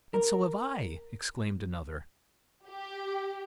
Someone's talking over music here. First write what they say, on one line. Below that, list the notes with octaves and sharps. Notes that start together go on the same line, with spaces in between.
"And so have I," exclaimed another.
A#4
G4